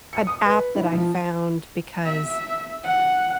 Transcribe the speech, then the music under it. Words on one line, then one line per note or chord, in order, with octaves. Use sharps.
an app that I found because
C#7
D#6
B4
E4
F3
E5
F#5